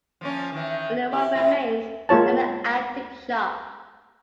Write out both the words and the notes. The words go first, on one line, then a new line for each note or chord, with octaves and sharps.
Only one remains, now an antique shop.
F3 A#3 C#4
D#3 E3
E4 G4
A2 E4 F4
G#3 A#3 F4 C#5 A5